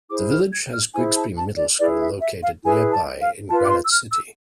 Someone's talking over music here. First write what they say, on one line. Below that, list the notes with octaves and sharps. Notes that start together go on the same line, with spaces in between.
The village has Grigsby Middle School located nearby in Granite City.
E4 G#4 C5 D6
F6
G#6
F6
E4 G#4 C5 G#5
A5
A5
D5
E4 G#4 B4 D5
E5
E5
F5
E4 G#4 B4 G#5
A5
F5
F4 B4 A5
D6
C6
E6
F6
E6